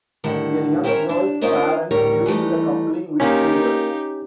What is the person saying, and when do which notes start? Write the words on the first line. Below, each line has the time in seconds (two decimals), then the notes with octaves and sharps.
A young girl's parents viewed the coupling with favor.
0.24 A2 D3 D#3 G3 F#5
0.84 C4 C#4 E4 A4 A#4 C#5
1.09 D4
1.41 C#4 D#4 F4 A#4 C5 D#5
1.91 D2 A2 G3 A#4 C#5
2.26 E3 G3 A3 D#4
3.20 C3 A#3 C#4 D#4 G4